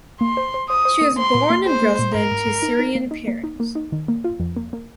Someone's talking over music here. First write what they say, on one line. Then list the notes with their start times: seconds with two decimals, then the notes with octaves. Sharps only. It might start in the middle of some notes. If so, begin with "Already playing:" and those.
She was born in Dresden to Syrian parents.
0.21 A#3 C6
0.37 C5
0.54 C5
0.70 C5 D#6
0.85 C5
1.01 A#3
1.18 C5 C6
1.35 A#2
1.50 A#3
1.66 G#4 C5
1.82 A#3
1.99 A#2
2.14 G#2 A#4
2.31 G#2
2.47 G#2
2.62 D#4
2.79 D#4
2.95 A#3
3.11 D#4
3.28 A#3
3.44 D#4
3.60 A#3
3.75 D#4
3.92 D#3
4.08 A#3
4.24 F4
4.40 F2
4.57 A#3
4.73 A#3